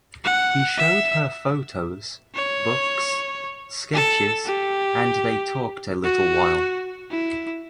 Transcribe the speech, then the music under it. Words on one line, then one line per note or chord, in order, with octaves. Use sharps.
He showed her photos, books, sketches, and they talked a little while.
F#5
E5
C#5
A4
G4
F#4
E4